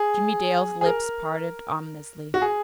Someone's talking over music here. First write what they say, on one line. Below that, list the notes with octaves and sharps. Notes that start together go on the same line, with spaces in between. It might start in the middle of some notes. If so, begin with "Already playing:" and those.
Jimmie Dale's lips parted ominously.
Already playing: G#4
G#4
A#4
F#4
G#4